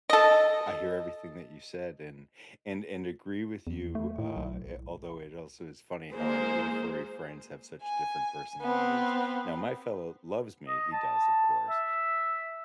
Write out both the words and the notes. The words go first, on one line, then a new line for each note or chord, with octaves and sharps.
I hear everything that you said, and and and agree with you, uh, i although it also is funny how our little furry friends have such different personalities. Now, my fellow loves me, he does, of course,
A4 D#5
E2
A3
A2
B1
G#3 A#3 G#4 C5
G#5
B3 C4
D#5
A5
E5